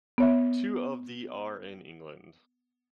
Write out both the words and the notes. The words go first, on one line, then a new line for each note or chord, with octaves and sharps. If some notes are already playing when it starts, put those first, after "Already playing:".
Two of the are in England.
B3 C#5 E5